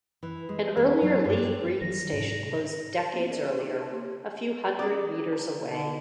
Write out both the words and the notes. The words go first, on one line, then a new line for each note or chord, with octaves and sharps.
An earlier Lea Green station closed decades earlier, a few hundred metres away.
E3
G#3
E3
F#3
G2
D#3 E3 F#3 A#6
G#2 C3
A#3 B3 C#4 E4 F#4 A4
G#4 A#4 C5 D5 E5
G#4
D#4 B4 D6
B4 A5 C6
A#3 G4 A4 C#5 C6
C#4 A4 D5 D#6
B4 C#5 A#5
D3 D#4 D#5